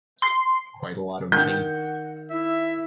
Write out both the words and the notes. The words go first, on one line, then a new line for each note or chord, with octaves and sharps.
Quite a lot of money.
C6
D#3 F#5 G6
E4 E5